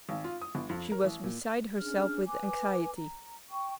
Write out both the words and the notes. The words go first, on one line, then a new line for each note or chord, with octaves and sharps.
She was beside herself with anxiety.
G#1
F4
D#6
G1
F2
A#4
A1
A#2
C#4 D4 G#4 F6
B4 G#5 D6
A#5
G5 C#6